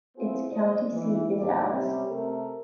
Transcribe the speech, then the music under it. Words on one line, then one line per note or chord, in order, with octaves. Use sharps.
Its county seat is Alice.
B3 C4 E4 F4 G#4 C5
C5 D5 D#5
E3
D#2 A2 C5 D5
C3 G3 C#4 G4
C3 A3 A4 A#4